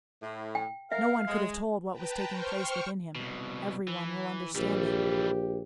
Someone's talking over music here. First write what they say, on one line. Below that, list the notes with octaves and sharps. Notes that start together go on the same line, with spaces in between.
No one could have told what was taking place within him; every one will understand it.
A2
G5
A#4 E5 F5
G#3
B4 G5 A5 A#5
C5 G5 C#6 F6
C2 B2
E3
A#1 E3 G3 G4